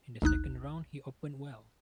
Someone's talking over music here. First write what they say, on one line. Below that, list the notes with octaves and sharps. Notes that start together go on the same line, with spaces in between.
In the second round he opened well.
G#1 D2 D#4 F#6